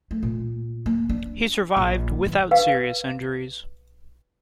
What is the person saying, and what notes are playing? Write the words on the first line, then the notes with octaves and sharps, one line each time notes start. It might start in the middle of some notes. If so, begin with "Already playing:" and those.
He survived without serious injuries.
A3
A#2
A#3
D4
A#1
E3
B4 F5